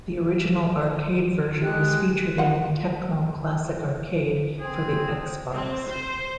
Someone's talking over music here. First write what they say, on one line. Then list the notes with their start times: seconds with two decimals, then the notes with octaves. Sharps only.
The original arcade version was featured in Tecmo Classic Arcade for the Xbox.
1.62 G#3 G4 F#6
2.38 F4 F#5
4.60 C4 G#4
5.55 C4
5.89 C5